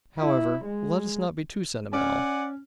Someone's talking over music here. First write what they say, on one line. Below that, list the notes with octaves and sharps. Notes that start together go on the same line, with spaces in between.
However, let us not be too sentimental.
E4
G#3
C#4 D5 F#5 G#5